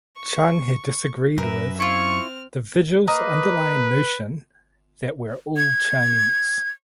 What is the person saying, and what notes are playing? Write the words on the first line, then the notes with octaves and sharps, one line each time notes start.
Cheung had disagreed with "the vigil’s underlying notion that we’re all Chinese".
C#6
F#2 A#4 B4 E5
C4 E4 F4 C#6 F6
A#3 B4 D#5
G#6